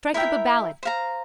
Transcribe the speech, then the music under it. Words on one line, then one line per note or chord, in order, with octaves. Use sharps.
Strike up a ballad.
E4 A#4 E5 G5
C5 F5 A#5